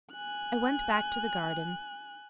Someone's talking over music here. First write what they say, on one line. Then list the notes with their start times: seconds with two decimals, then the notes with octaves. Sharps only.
I went back to the garden.
0.12 G#5 F#6